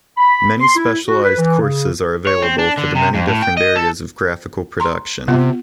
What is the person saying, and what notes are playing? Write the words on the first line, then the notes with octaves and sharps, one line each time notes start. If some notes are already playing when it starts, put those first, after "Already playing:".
Many specialized courses are available for the many different areas of graphical production.
B5
C6
E4
F#4
B4
E3
C#3
C#5
C4
D4
D3
C3
F2
A2
G5
D#5
A4
A#5 C6
C3 B3 F4